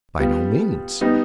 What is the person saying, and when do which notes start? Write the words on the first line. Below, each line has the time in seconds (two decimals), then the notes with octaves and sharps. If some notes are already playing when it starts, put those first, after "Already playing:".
"By no means."
0.19 G3 B3 F4
1.01 G3 B3 D#4